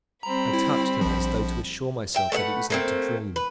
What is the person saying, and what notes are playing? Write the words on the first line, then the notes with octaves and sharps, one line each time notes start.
I touched her as though to assure myself that it was not a dream.
G3 C4 A#5 B5
E4
A#1 F3
E5 G5
A3 B4 E5 F#5
A3 A#3 C4
B4